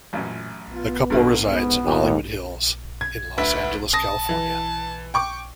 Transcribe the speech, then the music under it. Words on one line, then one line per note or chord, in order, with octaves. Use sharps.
The couple resides in Hollywood Hills in Los Angeles, California.
A1 F#2 A#2
B3 F4
G2 D3 D#3 F#4
G#2 B2 B3
D#2 G3 F4
G#6
D2 B4 E5
A5 D#6 A#6
E3
G5 C#6 D6